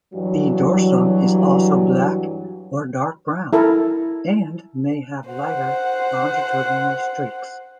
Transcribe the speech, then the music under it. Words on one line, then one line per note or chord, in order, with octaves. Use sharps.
The dorsum is also black or dark brown, and may have lighter longitudinal streaks.
G2 E3 F#3
E4 A4 A#4
C5 F#5